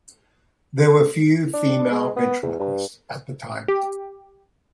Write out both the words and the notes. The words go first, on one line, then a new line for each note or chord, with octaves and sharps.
There were few female ventriloquists at the time.
D4
G#3
B3
E2
G2
G4